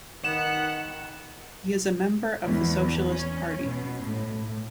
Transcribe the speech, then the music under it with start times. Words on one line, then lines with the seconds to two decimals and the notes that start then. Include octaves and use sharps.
He is a member of the Socialist Party.
0.24 D#3 B3 F#5 E7
2.46 E2
3.10 C#4
3.65 B2
4.04 A2